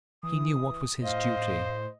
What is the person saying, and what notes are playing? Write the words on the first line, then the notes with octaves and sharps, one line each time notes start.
He knew what was his duty.
E3 D#6
A2 C5 D#5 F5